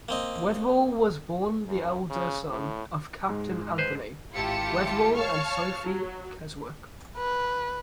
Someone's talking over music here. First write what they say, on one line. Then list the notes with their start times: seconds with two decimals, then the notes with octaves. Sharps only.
Weatherall was born the elder son of Captain Anthony Weatherall and Sophy Keswick.
0.09 A#3 C4 D#5
1.66 F#2
2.10 C#3
2.49 A2
3.29 G#2 G#3
3.78 B4 C5
4.34 G#1 E4 F4 G4 A5 C#7
5.14 C#5 F5 A5 C#6 F6
5.82 F#3
7.17 B4